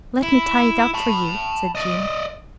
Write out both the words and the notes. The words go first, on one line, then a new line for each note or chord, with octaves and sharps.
"Let me tie it up for you," said Jean.
E4
A5 B5
D5 D#5